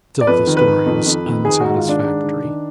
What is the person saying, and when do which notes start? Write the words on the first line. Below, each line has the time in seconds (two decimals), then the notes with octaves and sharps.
Still the story was unsatisfactory.
0.21 D5
0.27 F2 B4
0.47 D#3
0.57 B4
0.66 D#3
0.86 F2
1.06 F2
1.26 D#3
1.45 D#3 G#4
1.60 G#2 F#4
1.74 F4
1.84 D#3 D4
2.03 G#2
2.23 D#3
2.43 D#3